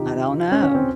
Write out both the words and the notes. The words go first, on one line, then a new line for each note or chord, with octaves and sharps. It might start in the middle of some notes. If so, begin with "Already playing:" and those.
I don't know.
Already playing: C3 D#3 D#4 F4 G4
C#4
C#4
C4